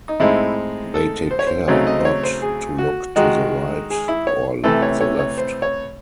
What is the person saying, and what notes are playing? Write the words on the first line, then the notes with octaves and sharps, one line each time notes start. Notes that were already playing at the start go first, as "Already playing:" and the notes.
They take care not to look to the right or the left.
D#4
A2 G#3 C4 D#4 E4
A4
C5
C#5
C5
C#3 F#3 A3 C4 D#4 C#5
D#5
C5
C#5
C5
G#4
F#4
D#3 G#3 D#4 F#4
G#4
E4
C#5
C3 E3 A3 A4
C#5
C#5
C#5
C5
C#5